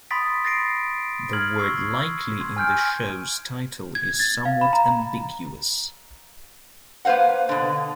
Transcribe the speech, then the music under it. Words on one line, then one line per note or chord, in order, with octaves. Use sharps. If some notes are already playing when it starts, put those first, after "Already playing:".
The word "likely" in the show's title is somewhat ambiguous.
B5 C6 D#6 A6 B6 D7
A6 A#6 C7 D7
F6 G#6 F#7
C#6 E6 G#6 C7
C6 G#6
G#5 F6 G6 D7
G#6
A6
F5
B5
A#5
A#3 B4 C5 F5 F#5
B2 D3